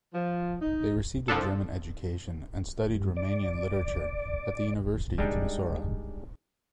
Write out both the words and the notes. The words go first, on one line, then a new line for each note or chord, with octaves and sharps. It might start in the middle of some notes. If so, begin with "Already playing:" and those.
They received a German education and studied Romanian literature at the University of Timisoara.
F3
D#4
C2 F3 D4 A4
G2
D5
G3 G#3 D4 D#4 G5